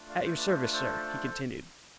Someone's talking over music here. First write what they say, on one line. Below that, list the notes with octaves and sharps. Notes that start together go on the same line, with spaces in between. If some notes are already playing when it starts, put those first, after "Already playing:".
"At your service, sir," he continued.
Already playing: A3 D4 F4
D5 F5
C5 E5
B4 D5
A4 C5
B4
A4 C5